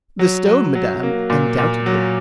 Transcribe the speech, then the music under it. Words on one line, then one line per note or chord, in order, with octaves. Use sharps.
"The stone, madam, undoubtedly."
F#3
F#3
F#3
A#3
A#2
A#2
F#3